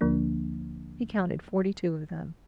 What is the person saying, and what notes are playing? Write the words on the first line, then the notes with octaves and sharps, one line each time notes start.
He counted forty-two of them.
D2 D3 F3 A#3 D4